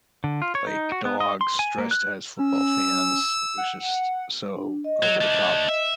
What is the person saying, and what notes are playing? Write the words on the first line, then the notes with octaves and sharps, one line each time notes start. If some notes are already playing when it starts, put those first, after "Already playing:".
like, dogs dressed as football fans, it was just so over the top.
D3
F4
C#5
D#4
F#4
B3
D#5
C6
G#5
A#3
F#6
C#4 E6
F#5
D4
D#5
F#3
A3 D4
E5